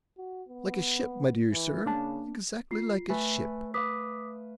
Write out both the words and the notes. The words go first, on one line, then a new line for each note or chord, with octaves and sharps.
'Like a ship, my dear sir,--exactly like a ship.
F#4
B3
E3
C#3 A#3 D4 A5
F4 C7
A3 B4 G#5
B4 F5 D6 D#6 B6